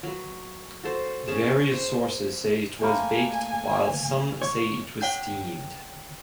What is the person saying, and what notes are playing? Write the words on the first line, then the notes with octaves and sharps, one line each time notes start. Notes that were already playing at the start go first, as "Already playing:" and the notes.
Various sources say it was baked while some say steamed.
F#3 B4
F#4 A4 C5
C#4 G#4 A5
C5
A3 A#3 C5 G#5 B5
C#5
C#5 F#5 G5 G6